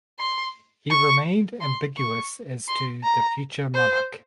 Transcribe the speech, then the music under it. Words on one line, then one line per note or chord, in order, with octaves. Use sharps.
He remained ambiguous as to the future monarch.
C6
C#6
C6
C#6
C6
A#5
C5